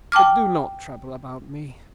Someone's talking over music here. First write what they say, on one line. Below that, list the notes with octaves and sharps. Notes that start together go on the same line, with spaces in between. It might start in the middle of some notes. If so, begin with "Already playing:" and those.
But do not trouble about me.
G5 A5 D6 F6